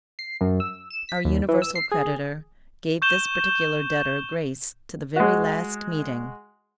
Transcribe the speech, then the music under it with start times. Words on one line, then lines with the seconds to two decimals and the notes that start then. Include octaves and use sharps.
Our universal creditor gave this particular debtor grace to the very last meeting.
0.19 C7
0.41 F#2
0.60 E6
0.90 E7
1.09 B6
1.25 D#2
1.48 E3
1.62 E6
1.75 C7
1.92 G#4
3.02 C#6 G6 E7 G7
5.16 G#3 F#4